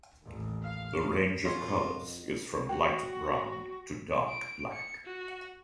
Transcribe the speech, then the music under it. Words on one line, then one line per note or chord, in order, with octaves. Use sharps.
The range of colors is from light brown to dark black.
A1 D#2
F5
F2 F4 C#5 D#5 F#5 C6
F#4 G5
D7
C#7
F#4